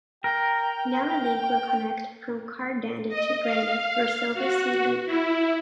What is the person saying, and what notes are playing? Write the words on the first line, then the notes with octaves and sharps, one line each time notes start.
Now a link will connect from Khar Danda to Bandra - Versova Sea Link.
A#4 G5
D#5
F5
F#4
E4